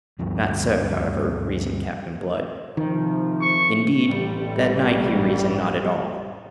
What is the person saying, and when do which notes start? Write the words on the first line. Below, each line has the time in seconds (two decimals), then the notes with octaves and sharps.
Not so, however, reasoned Captain Blood. Indeed, that night he reasoned not at all.
0.19 D2 G2 F3 G3
2.77 C3 D#3 F3
3.42 C#6
4.07 A1 G3